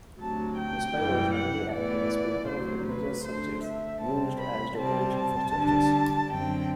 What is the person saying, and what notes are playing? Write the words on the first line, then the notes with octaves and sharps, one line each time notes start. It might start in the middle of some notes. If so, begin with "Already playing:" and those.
Crespi was mainly active as painter of religious subjects used as decoration for churches.
D2 C3 F#3 A5
G5
F#2 E3 G3
F#5
A2 E3 B3 D5
D2 C3 F#3 C5
B4
D3 A3 D4 C5
E5
C3 G3 C4 A5
B5
C3 G3 C4 A5
A5
D3 G3 D4
F#2 D3 F#3 C4 G5